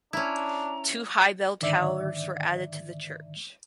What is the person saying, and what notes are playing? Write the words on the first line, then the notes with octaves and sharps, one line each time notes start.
Two high bell towers were added to the church.
C#4 D4 E4 A#5
G#2 D3 D#3 D5 E5